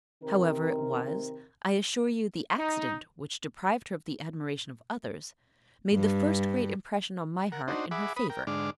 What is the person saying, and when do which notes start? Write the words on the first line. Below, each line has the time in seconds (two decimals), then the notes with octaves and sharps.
However it was, I assure you the accident which deprived her of the admiration of others made the first great impression on my heart in her favour.
0.23 C3 D#3 C4 A#4
2.58 D#4
5.93 G2
7.52 A#4 F#5
7.68 D4 D#4 F#4 C5
7.91 G#4 E5 F#5 B5 D6
8.17 B4 B5 D#6
8.30 A#4 G5
8.47 G#2 D3 G#3 D4 D6 F6